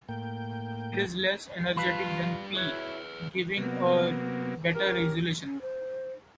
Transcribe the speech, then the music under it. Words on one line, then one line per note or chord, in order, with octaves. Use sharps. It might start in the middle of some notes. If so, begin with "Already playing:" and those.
It is less energetic than P, giving a better resolution.
A2 A#3 G5
G3 F4 B4 F5 A5 B5
E4 F#4 G#4 B4 C#5
C3 F#3 A#3 B3
C#4 G4 A#4
C#4
C5